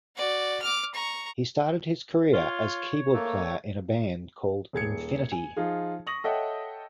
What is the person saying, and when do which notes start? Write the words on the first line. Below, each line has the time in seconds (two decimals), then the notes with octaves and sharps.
He started his career as keyboard player in a band called Infinity.
0.16 F#4 D5
0.62 D6 F6
0.94 A#5 C#6
2.34 F4 C#5
3.14 A3 A#3
4.73 D#1 G#4 G#6 C#7
5.32 G#5
5.56 F3 D#4 F4 G#4
6.07 C#6 D#6 A#6 F#7
6.24 A4 C#5 D#5 E5 F#5 G5